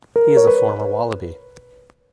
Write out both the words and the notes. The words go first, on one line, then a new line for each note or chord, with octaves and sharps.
He is a former Wallaby.
A#4
C#5
B4